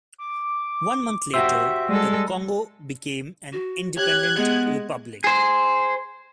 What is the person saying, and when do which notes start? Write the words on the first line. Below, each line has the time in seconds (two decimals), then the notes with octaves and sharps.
One month later, the Congo became an independent republic.
0.18 D6
1.34 F#4 G4 C5 E5 E6
1.89 G3 G#3 A4
3.52 F#4
3.97 G4 C#5 F#6 G#6
4.36 G#3 B3
5.24 G#4 C5